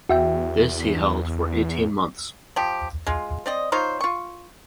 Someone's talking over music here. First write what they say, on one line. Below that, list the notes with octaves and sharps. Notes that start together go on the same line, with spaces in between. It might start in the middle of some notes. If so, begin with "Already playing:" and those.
This he held for eighteen months.
E2 F#4 E5 G5
F3 G4
G#3 F4
C4 D5 D#5
D#4 F4 C5 C#5
F4 C#6